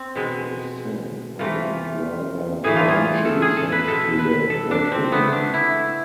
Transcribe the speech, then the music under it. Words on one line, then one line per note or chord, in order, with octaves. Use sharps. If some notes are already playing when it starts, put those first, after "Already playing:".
They sang funny and rather raunchy songs to the bedridden.
Already playing: C4
B2 G#3
C3 E3 A3 F4
A2 E3 A3 G#4
F4
G#4
A4
G#4
A4
B4
B2 G#3 A4
B4
A4
D4
C4
D3 A3 B3
D4
E4